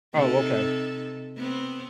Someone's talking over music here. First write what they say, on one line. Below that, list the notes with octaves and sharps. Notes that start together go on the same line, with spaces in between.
Oh, okay.
C3 D#4 A4
B3 C4